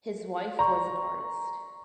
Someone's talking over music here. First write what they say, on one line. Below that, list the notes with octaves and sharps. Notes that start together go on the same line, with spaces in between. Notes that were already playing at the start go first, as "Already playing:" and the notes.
His wife was an artist.
D5 A#5 C6 C#6